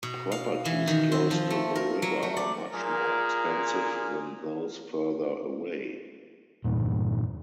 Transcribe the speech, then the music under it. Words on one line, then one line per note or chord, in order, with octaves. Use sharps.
Properties close to the river are much more expensive than those further away.
B2
F5
E3
D#3
C4
F3
A3
A#4
F#3
A3
D5
A#2 G#4 A#4
E2 G2 A#2